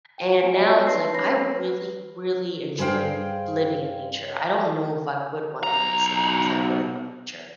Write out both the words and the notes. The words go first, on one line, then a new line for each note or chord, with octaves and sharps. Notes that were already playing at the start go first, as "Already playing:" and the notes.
and now it's like, I really, really enjoy living in nature. I don't know if I would wanna be in the city 'cause I really love nature.
F4 G5
A3 B3 F4 F#4 G#5 D7
G4 C#5 D#5 E5
D#4 B4 A5 C6 A#6 C7
C#4 C#5 B5 A#6 C7
B4
G2 G#4 C5 F5 G5
B1 A#5